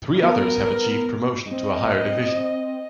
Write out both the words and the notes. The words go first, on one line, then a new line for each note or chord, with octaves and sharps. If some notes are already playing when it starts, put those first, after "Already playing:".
Three others have achieved promotion to a higher division.
B3 A#4
C4 D#5